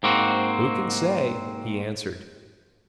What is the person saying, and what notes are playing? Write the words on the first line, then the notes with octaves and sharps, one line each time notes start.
"Who can say?" he answered.
G#2 A#3 C4 F#4